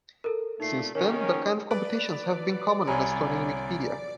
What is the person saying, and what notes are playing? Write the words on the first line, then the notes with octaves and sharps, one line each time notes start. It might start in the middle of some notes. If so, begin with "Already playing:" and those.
Since then that kind of competitions have been common in Estonian Wikipedia.
A4 A#4
A#2 A3 D#4 C7
D#3 C#4 A#4 C#5
B4 D5
C2 C#5 G#5 A#5 B5